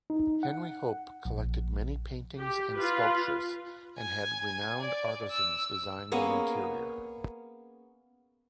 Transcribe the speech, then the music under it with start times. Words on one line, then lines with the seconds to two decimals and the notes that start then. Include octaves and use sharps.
Henry Hope collected many paintings and sculptures and had renowned artisans design the interior.
0.10 D#4
0.43 F#5
1.25 A#1
2.38 G4
2.77 F4 B4
3.98 G#5
4.45 G#5
4.80 D5
5.31 E6
6.12 A#3 B3 C#4 G#4